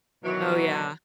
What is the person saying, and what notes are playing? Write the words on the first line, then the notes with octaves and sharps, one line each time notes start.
Oh, yeah.
B2 D#3 E3 F#3